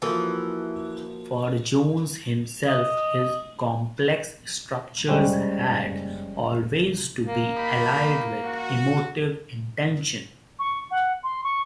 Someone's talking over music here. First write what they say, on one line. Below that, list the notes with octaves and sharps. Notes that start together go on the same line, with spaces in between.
For Jones himself his complex structures had always to be allied with emotive intention.
E3 F3 A#3 F#4 A4 A#4
D#5
G3 G#3 C#4 C5 C#5 G5
A#3
D#4 G4 B5
F#4
C#6
F#5
C6
C#6